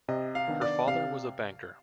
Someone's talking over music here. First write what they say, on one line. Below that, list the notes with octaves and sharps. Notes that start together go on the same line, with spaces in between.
Her father was a banker.
C3 D#5
F5
D#3 B3 D4
D5
C3 F5